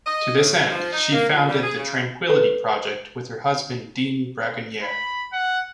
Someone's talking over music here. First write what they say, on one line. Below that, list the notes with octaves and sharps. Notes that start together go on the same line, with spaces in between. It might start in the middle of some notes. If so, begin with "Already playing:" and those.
To this end, she founded "The Tranquility Project" with her husband Dean Bragonier.
D#5
A2
E3
F3
D#4
A#3
A#2
G3
G#4
C#3
A4 B4
B5
F#5